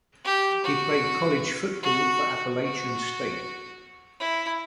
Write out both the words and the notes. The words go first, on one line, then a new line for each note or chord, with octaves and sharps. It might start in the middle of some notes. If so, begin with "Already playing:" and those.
He played college football for Appalachian State.
G4
F#4
F#4
F#4
E4